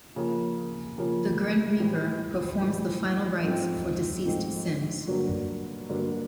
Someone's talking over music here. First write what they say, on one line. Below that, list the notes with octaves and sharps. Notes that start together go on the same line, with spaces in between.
The Grim Reaper performs the final rites for deceased Sims.
C#3 F3 A#3
C#3 F3 A#3
A2 E3 G3
A2 E3 G3
G#2 F3 A3 C4
G#2 F3 A3 C4
G2 D3 F#3 A#3 D4
G2 D3 F#3 A#3 D4